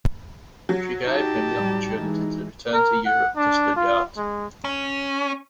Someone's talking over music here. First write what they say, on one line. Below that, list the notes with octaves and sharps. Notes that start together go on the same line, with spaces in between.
She gave him the opportunity to return to Europe to study art.
F#3
D#4 G4 A5
A2 G3
E3 G#3
A#4
F#5
D4
F4
G#3
C#4